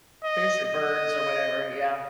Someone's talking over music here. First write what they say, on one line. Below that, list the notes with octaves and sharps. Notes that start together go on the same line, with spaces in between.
Fish or birds or whatever, yeah.
D#5
D#5